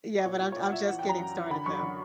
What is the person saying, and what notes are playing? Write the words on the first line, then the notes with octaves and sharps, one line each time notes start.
Yeah, but I'm I'm just getting started though.
D5
A#2 C#5
A#2
C#5
A#2 D5
F#5
A#2 E5
E3 F#5
F#2 G5
A#5
F#2
E3
D3 B5
F#2 C#6
D3